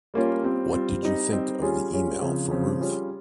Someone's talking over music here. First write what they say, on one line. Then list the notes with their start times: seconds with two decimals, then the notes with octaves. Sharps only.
What did you think of the email from Ruth?
0.14 G3 A#3 C#4 F4
0.44 G3 C4 F4
0.72 G3 C4 F4
1.03 G3 C4 D#4
1.32 G3 C4 D#4
1.61 G3 C#4 F4 G#4
1.91 G3 C#4 F4 G#4
2.21 C#3 F3 C4
2.51 C#3 F3 C4
2.81 G3 C#4 F4 G#4